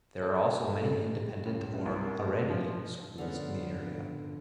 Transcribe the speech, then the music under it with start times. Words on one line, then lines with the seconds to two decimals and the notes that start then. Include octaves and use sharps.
There are also many independent or Haredi schools in the area.
0.22 A4
1.45 C#2
1.73 F#2
1.86 C2
2.05 A#3
2.23 A3
2.50 F3
3.18 D3 F3 B3 C#4